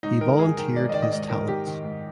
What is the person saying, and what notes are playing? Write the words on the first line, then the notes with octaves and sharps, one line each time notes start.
He volunteered his talents.
G#2 D#4
D#3 A#4
G#2 G#4
D#3 A#4
G#2 D5
D#5
D#3 D5
D#5
G#2 D5
D#3 A#4
G#2 G4
D#3
G#2